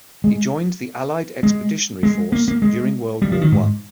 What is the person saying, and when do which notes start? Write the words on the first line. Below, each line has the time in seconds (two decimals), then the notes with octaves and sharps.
He joined the Allied Expeditionary Force during World War One.
0.24 G#3
1.43 G#3
2.03 G#3
2.32 A#3
2.48 A#3
2.62 G#3
3.22 G3
3.32 F3
3.41 D#3
3.52 G#2